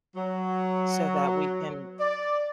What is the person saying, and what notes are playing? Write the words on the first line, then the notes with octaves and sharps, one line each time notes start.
so that we can,
F#3
D5